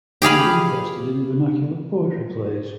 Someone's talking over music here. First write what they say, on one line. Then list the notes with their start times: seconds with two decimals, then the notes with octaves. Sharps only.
He was interested in vernacular poetry plays.
0.22 G4 G#4 F5 B5